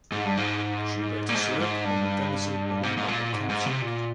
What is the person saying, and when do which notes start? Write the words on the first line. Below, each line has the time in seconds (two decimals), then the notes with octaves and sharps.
She later served on the Denison Alumni Council.
0.12 G#2
0.25 G2
0.37 G#2
1.29 A#2
1.35 G#2
1.60 G#2
1.85 G2
2.83 G#2
2.97 G#2
3.08 A#2
3.33 G#2
3.49 G#2
3.66 C3
3.82 A#2